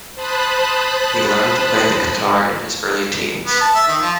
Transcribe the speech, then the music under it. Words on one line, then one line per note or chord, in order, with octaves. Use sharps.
He learned to play the guitar in his early teens.
C5 A5 B5 D#6 F#6
B3
A5
E5
D#3
F3